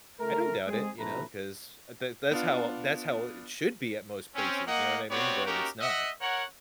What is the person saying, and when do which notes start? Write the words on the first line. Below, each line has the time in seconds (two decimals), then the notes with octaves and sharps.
I don't doubt it, you know, 'cause, uh, that that's how that's how it should be at most places. You know what I mean? But it's not.
0.20 C#3 A3 F4 A#4
0.66 G#3 C4 G#4
0.98 A#1 A2 C3 A3 B4 A#5
2.31 B3 D4 F4
4.35 C4 C#4
4.66 A#3 D#5 F#5
5.11 B3 C4 F#4 G4 C#5 D5
5.46 A#3 C#4 D#4 F#4 G4 A#4
5.81 D#5 E5 F#5
6.21 A#4 C#5 F#5